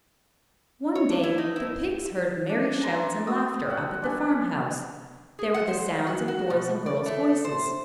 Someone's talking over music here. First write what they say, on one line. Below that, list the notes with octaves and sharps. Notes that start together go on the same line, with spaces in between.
One day the pigs heard merry shouts and laughter up at the farmhouse. There were the sounds of boys' and girls' voices.
C#5
D4
E4
D#4
E4
D4
A5 A#5 C6
F#3 D#6 E6
F#5 G5
D4 B4 G#5
G#4
F#5
C5
F#4
F#4
B2
D5
A3
C5